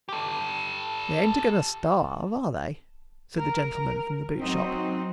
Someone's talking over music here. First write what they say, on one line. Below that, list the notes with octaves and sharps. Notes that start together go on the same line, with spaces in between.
"They ain't a-going to starve, are they?" said the gentleman from the boot-shop.
G4 A4
A#4
F#3 C4 D#4